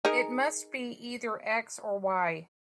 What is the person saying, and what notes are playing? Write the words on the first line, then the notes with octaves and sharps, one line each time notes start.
It must be either "X" or "Y".
D#4 G#4 A#4